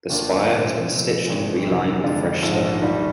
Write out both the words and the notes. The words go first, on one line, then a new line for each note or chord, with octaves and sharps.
The spire has been stitched and relined with fresh stone.
D#2 D#3 A#3 D4 F4
A#2 G#3 C4 F4
F1 F2 C3 F3
G#1 G2 F3 G#3
F2 C3 D#3
F2 D3 G#3 D4 F4
A#1 G#2 F3 G#3
D#2 D#3 G3 D4 F4